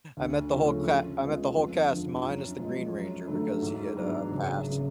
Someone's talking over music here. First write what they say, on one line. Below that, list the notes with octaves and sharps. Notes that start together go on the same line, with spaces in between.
I met the whole ca I met the whole cast minus the Green Ranger because he had, uh, passed.
D2
C#3 F3 A3 C#4
C#3
G#3 B3 F4 G#4
F2
D3 F3
F#2
F3 G#3
F#2
D3 F#3 A3
G#2
F#3 B3 D4
F#1
C#3